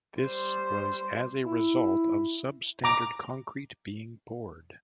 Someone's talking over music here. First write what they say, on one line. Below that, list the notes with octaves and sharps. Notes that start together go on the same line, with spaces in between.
This was as a result of sub-standard concrete being poured.
G3 C5
E4
A#5 D6